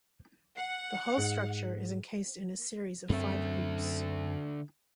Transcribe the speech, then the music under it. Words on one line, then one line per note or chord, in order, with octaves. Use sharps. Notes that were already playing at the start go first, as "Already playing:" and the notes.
The whole structure is encased in a series of five hoops.
F#5 C7
G#2 F#6
F#2 D3 C4 A4 E5